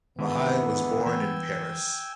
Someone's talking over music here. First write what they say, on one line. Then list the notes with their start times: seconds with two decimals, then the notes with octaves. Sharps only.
Mahy was borne in Paris.
0.19 D2 G#2 D#3 E3 B3
1.06 E3 G5 G#5 E6